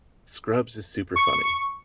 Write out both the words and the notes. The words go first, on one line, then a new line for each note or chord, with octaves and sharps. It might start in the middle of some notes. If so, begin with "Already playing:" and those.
Scrubs is super funny,
C#6